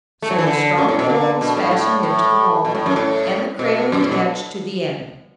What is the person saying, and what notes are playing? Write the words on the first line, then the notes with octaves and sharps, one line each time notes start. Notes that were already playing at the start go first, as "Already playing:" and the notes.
So the strong pole was fastened into the wall, and the cradle attached to the end.
A3
F#3
E3
D3
F#2
A2
B2
D3
B2
A2
A2
A2
B2
A2
F#2
A2
B2
F#2
A2
B2